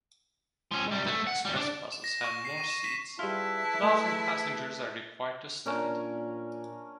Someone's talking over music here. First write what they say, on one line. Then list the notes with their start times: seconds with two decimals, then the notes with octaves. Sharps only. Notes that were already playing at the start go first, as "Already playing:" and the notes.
Limited express buses have more seats, but often passengers are required to stand.
0.71 F3 C#4
0.91 C3 G3
1.07 G#2 A3
1.27 F#5
1.45 D#2 G3
1.57 D4 D5
1.92 E7
2.04 A#6
2.24 C#6
2.45 C7
2.58 D#7
2.70 E7
2.84 B6
3.19 G3 E4 F4 G#4 B4 E5 A5
3.82 A3
5.66 A#2 C#4 D4 A#4